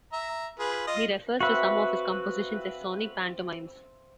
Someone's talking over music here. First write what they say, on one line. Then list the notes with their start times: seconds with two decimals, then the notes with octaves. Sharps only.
He refers to some of his compositions as "sonic pantomimes".
0.12 E5 A#5
0.59 F4 G#4 B4
0.87 F4 D#5
1.41 C4 F#4 B4 E5 F5